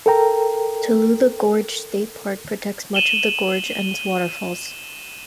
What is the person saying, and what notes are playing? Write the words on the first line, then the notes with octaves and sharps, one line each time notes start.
Tallulah Gorge State Park protects much of the gorge and its waterfalls.
A4 A#4 G5 A#5
D#7 E7 F#7 G7